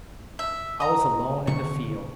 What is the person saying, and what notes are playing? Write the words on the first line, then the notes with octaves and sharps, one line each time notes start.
I was alone in the field.
E5
D#5 A#5
B2 D3 D#3 C#6